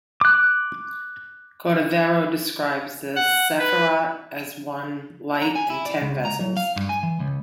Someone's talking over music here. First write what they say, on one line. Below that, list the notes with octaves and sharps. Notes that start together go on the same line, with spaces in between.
Cordovero describes the sephirot as one light in ten vessels.
D6 F#6
F#5
B4
A#5
G#5
E4
D5
C#2
A#5
F#3
F5
G2
G#5
E3
C#2